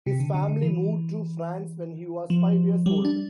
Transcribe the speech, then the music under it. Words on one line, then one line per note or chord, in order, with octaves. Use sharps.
His family moved to France when he was five years old.
C3
D3
D3
D3
E3
F3
G3
D4